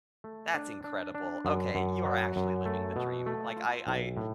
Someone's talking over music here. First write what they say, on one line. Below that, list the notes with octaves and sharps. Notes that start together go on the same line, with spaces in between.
That's incredible. Okay, you're actually living the dream. Like, I I
A3
D4
D4
D4
F#2
F#2
F#3
F#2
A3
B2
A3
F4
B1
A2